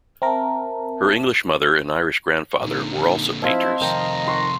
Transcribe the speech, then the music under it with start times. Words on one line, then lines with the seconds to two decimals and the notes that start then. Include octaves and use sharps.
Her English mother and Irish grandfather were also painters.
0.22 C4 A#4 E5 A5
2.63 A#2 D3 D#4
3.42 F3 C4 E4 D#5 F5 A5
3.81 F2 C3 D#3 G5 A#5
4.27 F#5 C6 C#6